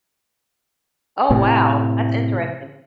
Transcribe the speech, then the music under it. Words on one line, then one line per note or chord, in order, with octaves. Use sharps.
Oh, wow, that's interesting.
A2 C3